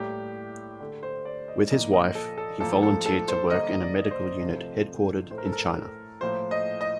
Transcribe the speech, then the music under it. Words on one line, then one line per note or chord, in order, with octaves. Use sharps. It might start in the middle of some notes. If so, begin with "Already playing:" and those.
With his wife, he volunteered to work in a medical unit headquartered in China.
Already playing: A2 G3 A#3 G4
D3 A3
C5
D5
D#5
A#2 F3 A#3 D#5
D#5
A4
A4
A2 F3 A#3 A4
A4
A4
C5
D3 G3 A#3 D#5
D5
C5
C3 F3 A3
A2 A3 C5
A#4
A4
A#4
A2 F3 A#3 C5
D#5
D#5